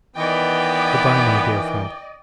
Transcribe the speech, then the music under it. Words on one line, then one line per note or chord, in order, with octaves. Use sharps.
Good-bye, my dear friend.
D#3 E3 B3 D5 D#5 G5